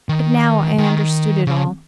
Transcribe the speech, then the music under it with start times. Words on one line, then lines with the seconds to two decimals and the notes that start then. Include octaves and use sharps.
But now I understood it all.
0.09 D#3
0.78 D#3
1.47 C#3